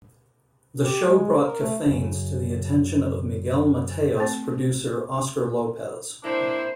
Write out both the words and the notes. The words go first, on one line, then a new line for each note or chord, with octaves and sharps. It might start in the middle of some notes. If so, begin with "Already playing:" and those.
The show brought Cafaines to the attention of Miguel Mateos' producer Oscar Lopez.
G4
G#3
A#4
A3
F#2 C#3
A3 C4
A#3 C4 D4 E4 C5